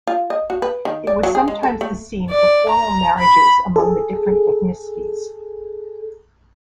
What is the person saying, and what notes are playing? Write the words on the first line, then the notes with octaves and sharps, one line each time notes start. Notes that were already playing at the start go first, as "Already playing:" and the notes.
It was sometimes the scene for formal marriages among the different ethnicities.
F4
D#5
F#4
B4
D#3
D5
F#3
G#4
G#3
A4
A3
D5
A#5
B5
G#4 A4